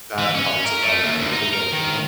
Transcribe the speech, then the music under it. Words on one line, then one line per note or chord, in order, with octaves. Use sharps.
bad parts about the the world, you know?
E3
C#4
A#4
A3
D#2
D2
D#4
A#4
D#3